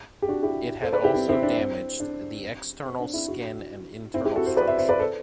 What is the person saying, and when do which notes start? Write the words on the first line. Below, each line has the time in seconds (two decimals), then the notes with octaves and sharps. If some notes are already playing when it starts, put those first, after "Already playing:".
It had also damaged the external skin and internal structure.
0.22 G4
0.28 D4 F#4
0.43 E4 G4
0.82 A4 C5
0.93 B4 D5
1.03 E4 G4
1.14 C4 E4
1.29 C4 E4
1.43 D4
1.57 C4
2.00 D4
2.85 C4
3.00 D4
3.14 C4 E4
3.28 D4 F#4
4.14 C4 E4
4.25 E4 G4
4.36 F#4 A4
4.46 A4 C5
4.57 B4 D5
4.67 C5 E5
4.78 C5 E5
4.89 B4 D5
4.99 A4 C5